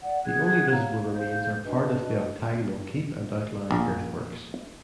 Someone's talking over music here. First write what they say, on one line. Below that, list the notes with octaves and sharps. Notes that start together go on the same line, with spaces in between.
The only visible remains are part of the octagonal keep and outlying earthworks.
D5 F#5
G#4 F#5 F#6 G#6
C#5 F5 A#5
C5 F5 G6
D4 F#4 B4 D#5
A#1